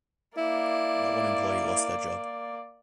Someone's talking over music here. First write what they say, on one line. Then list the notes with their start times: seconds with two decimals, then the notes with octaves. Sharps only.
Not one employee lost their job.
0.37 A#3 E4 D5